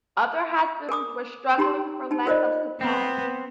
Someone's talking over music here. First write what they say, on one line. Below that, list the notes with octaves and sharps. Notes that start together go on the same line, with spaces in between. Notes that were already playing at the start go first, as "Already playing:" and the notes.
Other hospitals were struggling for lack of supplies.
A#4 G#5 D6 D#6
D#4 G4 A#5 C6
D#4 A5
F4 A#4 C5 D5 D#5
B3 C4